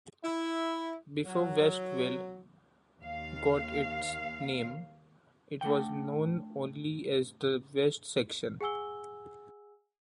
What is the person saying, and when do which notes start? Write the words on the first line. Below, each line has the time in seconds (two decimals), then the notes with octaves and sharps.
Before Westville got its name, it was known only as the West Section.
0.23 E4
1.25 F#3
3.00 D#2 F5
5.61 A3 D4 F#5 G5
8.61 G#4 F#5 G#5 E6 G7